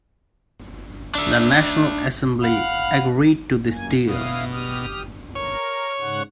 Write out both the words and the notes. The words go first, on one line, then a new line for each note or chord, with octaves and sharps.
The National Assembly agreed to this deal.
D4 E5
F5 F#5 B5
F#2 A#3 G#5
B2 E4 F5 D#6
G4 D#6 F6
A#4 C#5
G#2 C#3 F#5